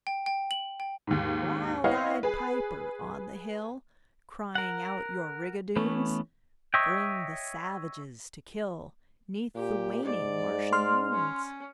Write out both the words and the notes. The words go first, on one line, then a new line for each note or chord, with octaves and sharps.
"Wild-eyed Piper on the hill, Crying out your rigadoons, Bring the savages to kill 'Neath the waning Martian moons!"
G5
G5
F#7
G5
D#2 G#2
B3 E4 C#5 D#5 F5 F#5
G#4 B4
A#4 F#5
E3 A3 B3 C#4
C#5 D#5 E5 G5
A#2 G4
G#2 D5
C6 F6
C#4